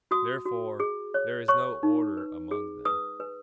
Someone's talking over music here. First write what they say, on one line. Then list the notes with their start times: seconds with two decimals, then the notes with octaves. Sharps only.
Therefore there is no order among them.
0.11 F#4 D#6
0.45 F#4
0.80 G#4
1.14 C#5
1.48 C#5 C#6
1.83 D#4
2.17 B4
2.51 G#4
2.85 B4 D#6
3.20 B4